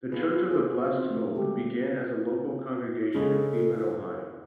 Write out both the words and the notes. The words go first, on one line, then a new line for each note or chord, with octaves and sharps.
The "Church of the Blessed Hope" began as a local congregation in Cleveland, Ohio.
B3 D#4 F4 G#4 B4
G#4 B4 C5
B3 C4 D#4 F4 F#4 C5
A3
D3 G3 G#3 F#4 G4 A4
C#3 G#3 A4